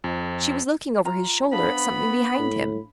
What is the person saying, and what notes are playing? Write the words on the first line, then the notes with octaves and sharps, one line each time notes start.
She was looking over his shoulder at something behind him.
F2
F4 A#5
B3 D4 C5 F5 B5
A2